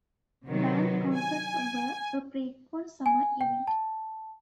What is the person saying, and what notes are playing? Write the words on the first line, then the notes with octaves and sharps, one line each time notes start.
Band concerts were a frequent summer event.
C3 D#3 F#3 B3
G#5
G#5
G5
A5